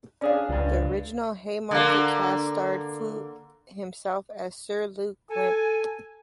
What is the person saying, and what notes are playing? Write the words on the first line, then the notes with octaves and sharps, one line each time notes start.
The original Haymarket cast starred Foote himself as Sir Luke Limp.
C#4 D4 G#4 D5 F5
C#2 G2 D3
D3 A#3
A4 G#5